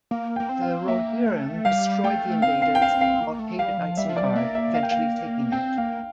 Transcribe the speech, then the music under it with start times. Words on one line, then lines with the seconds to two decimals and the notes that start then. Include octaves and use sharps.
The Rohirrim destroyed the invaders and blockaded Isengard, eventually taking it.
0.11 A#3 F5
0.36 A#3 G5
0.49 C4
0.62 F5
0.88 A#3 E5
1.27 A3
1.65 G3 F5
2.04 A3 G5
2.42 C4 F5
2.62 F5
2.75 G5
2.81 C4 F5
3.01 F5
3.20 A#3
3.39 A3
3.59 G3 F5
3.78 F3
3.97 G3 E5
4.09 F3
4.17 D5
4.22 G3
4.36 A#3 E5
4.55 E5
4.74 F5
4.83 G5
4.91 F5
5.52 C4 G5
5.78 A#3 F5